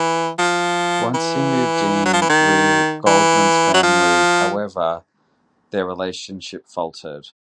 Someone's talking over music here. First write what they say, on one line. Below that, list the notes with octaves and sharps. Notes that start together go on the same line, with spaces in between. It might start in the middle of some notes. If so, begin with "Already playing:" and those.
Once he moved in with Goldman's family, however, their relationship faltered.
Already playing: E3
F3
E3
F#3
F3
E3
D#3
E3
F#3
F3